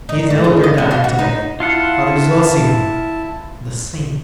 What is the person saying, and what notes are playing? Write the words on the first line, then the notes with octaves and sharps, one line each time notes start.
"His elder died to-day, Father Zossima, the saint."
D#4
A3
C#3
D#5
B3
F4
F#4
D#4
E4 F4 F5 F#5 A5